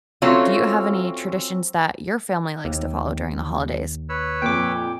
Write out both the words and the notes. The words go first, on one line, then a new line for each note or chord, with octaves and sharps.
do you have any traditions that your family likes to follow during the holidays?
F#3 A3 C4 C#4 F4
D#2
B4 C#5 E6
F2 A#2 G5 D6